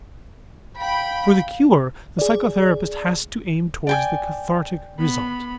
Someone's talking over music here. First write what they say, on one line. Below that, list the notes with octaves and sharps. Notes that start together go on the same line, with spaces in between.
For the cure the psychotherapist has to aim toward the cathartic result.
F5 G5 B5
G#4 D5
D5 G5 G#5
B3 B5